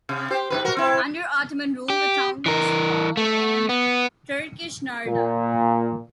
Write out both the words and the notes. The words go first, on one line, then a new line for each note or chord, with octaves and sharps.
Under Ottoman rule, the town was called in Turkish "Narda".
C3
G4 C5
G#2 C#3 B4
F#4 A#4
C4 E4
G4
E3 A#4
A3
B3
A#2